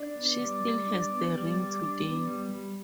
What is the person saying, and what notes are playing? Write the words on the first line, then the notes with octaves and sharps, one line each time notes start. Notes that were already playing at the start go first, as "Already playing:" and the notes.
She still has the ring today.
Already playing: D4 D5
B3
G3
G3
D4
B3
G3
G3
D4
B3
G3
G3